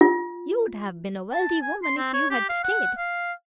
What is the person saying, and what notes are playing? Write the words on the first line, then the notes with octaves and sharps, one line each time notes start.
You would have been a wealthy woman if you had stayed.
F4
A5
G#5
C6
C4
C#5
G4
F5
F#5
F5